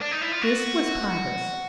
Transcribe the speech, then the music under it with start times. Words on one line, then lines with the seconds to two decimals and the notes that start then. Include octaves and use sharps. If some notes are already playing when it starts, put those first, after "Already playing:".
This was Pybus!
0.01 D4
0.11 D#4
0.21 E4
0.32 F4
0.42 F#4